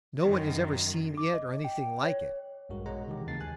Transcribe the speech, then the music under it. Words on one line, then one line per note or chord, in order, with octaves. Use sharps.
No one has ever seen it or anything like it.
F#2 D#3
D6
D#5
G5
C#5
A#1 G2 G#3 F#4 A#4
B2 G#3 C#5 F#5 A#5
C3 D#3 E3 G#3 G4
D#2 C#3 E3 A5 A6 C7
G#3 G#5 F#6